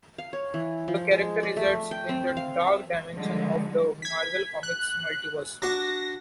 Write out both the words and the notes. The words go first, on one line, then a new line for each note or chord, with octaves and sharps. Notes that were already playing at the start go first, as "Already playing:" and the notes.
The character resides in the "Dark Dimension" of the Marvel Comics multiverse.
F5
C#5
E3
F3
G#3
D5
A3
G5
C4
F5
E5
D3 D#3 F3 G3 G#3
G#6 B6
F#6
D4 F#4 D5 A#6